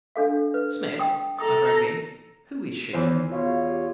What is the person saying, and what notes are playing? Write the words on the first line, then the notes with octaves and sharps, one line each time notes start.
"Smith," I broke in, "who is she?"
D4 A4 F5
B4
G5 D#6
A4 A#5 D#6
E2 E3 C5 C#5
D#3
E2 B2 F4 C#5 F5
G4